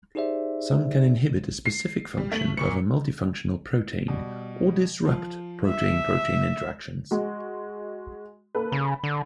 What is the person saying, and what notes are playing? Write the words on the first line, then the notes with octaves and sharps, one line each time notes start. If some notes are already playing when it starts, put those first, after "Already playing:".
Some can inhibit a specific function of a multifunctional protein or disrupt protein-protein interactions.
D#4 G4 G#4 C5 D5 E5
C7
G3
A3 F#7
A#2 C#6 C#7
B2 G3
F3 F4
E5
G#3 F#4
A#3 A4 B4
C#3 B5
D3